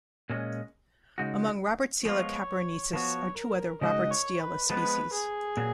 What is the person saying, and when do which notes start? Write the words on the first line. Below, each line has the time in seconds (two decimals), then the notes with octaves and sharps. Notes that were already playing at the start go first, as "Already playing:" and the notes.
Among "Robertsiella kaporenisis" are two other "Roberstiella" species.
0.30 A#2 G#3 C#4
1.18 C#3 G#3 D#4 F#4
2.05 F3 G#3 B3 F4 C#5
2.93 F3 B3 F#4 C#5
3.38 A#4
3.81 C#3 G#3 D#4 F#4 D#5
4.11 C#5
4.40 B4
4.68 F3 G#3 B3 B4
5.12 G#4
5.57 A#2 F#3